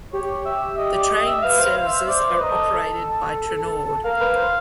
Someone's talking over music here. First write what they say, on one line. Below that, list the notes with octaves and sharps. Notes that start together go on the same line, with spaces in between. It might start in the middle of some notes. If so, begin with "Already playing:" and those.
The train services are operated by Trenord.
G4 C#5
E5
D#5
D5
D#5
E5
B4 F5
C5 F5
C5 F5
C5 E5
C5 D5
B4
A#4 D#5
A4
A4
A#4 F5
B4
C5